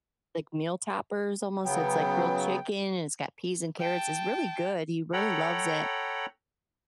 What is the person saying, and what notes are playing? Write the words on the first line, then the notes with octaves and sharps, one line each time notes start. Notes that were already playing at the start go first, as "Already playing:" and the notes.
like, meal toppers almost. It's like grilled chicken and it's got peas and carrots. It's really good. He really loves it,
C#3 F#3 B3 G5
G5 A5
A4 C#5 F#5 G5 A#5 B5